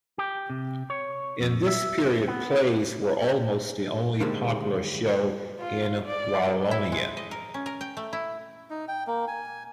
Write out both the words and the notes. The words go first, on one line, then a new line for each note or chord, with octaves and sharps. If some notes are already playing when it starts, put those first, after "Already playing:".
In this period plays were almost the only popular show in Wallonia.
G4
C3
C#5
F2
E5
B3
D3 D#3 G3 G#3 A#3 C4
F4
D5
E4
G#3
D#5
A#4
C#4
A#4
G5
A3
E4
D#4
G5
A#3
G#5